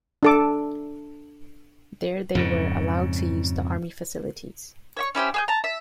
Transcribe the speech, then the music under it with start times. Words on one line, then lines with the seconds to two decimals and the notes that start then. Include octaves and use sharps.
There they were allowed to use the army facilities.
0.23 D4 A4 D6
2.35 F2 G#2 C#3
4.97 C#5 E5 C#6
5.15 C#4 E4 G4 C5
5.34 G#4 E6 G6
5.48 A5 A#5
5.64 E5